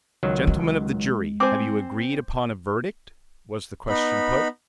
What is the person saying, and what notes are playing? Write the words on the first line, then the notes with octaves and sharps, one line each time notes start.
"Gentlemen of the jury, have you agreed upon a verdict?" was the question put.
C#2 D#3 F#3
G#3
C4 C5 G#5 D6
B3 D#4 B5